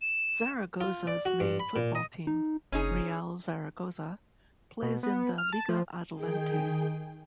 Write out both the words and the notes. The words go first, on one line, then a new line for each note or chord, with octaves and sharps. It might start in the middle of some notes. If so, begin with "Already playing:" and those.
Zaragoza's main football team, Real Zaragoza, plays in the Liga Adelante.
E7
F4
D5
F#4
G2
B5
A#2
D#5
D#4
F#1 C#4 D#4 G#4
B2
B3
F6
A5
F3
D#3 G#4 G5